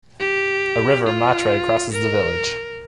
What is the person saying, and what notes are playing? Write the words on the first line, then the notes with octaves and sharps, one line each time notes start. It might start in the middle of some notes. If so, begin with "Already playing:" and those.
A river, Matre, crosses the village.
G4
F4
A#4